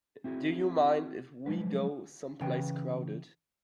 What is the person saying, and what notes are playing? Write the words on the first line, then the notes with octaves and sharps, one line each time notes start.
Do you mind if we go someplace crowded?
C4 E4 F#4 G#4
F3 F#3 G#3 B4
C#3 E3 B4 G5